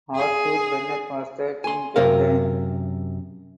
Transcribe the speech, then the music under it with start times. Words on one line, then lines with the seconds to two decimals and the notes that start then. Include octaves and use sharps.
Arthur Bennett was the team captain.
0.15 G#4
1.64 G#5 C6
1.96 F#2 C3 A#4 F5